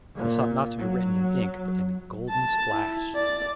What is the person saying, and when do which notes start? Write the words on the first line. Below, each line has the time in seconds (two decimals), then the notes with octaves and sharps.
This ought not to be written in ink but in a golden splash.
0.15 A#2
0.78 F#3
2.30 A5
2.74 E4
3.15 D5